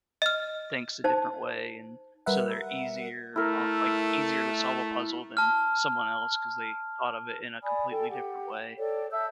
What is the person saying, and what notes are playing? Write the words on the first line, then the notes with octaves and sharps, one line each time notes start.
thinks a different way, and so they're easier o like, easier to solve a puzzle than someone else 'cause they thought of it in a completely different way.
D#5 F6
D#4 C5 A5
G3 A#4 B4 E5 F#5
A3 E4 A#4
A5 F6
D5 G#5 B5 D#6
A4 G5
G4 F#5
A4 C#5 D5 G5
E5 A5 E6 G6